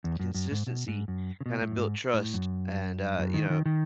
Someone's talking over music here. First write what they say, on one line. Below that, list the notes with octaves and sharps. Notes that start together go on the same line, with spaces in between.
consistency kinda built trust and, uh, you know,
E2
F#2
F#2
G#2
B2
G#2
F#2
C#3
B2
A2
F#2
G#2
A2
F#2
F#2
D#3
D#3
D#3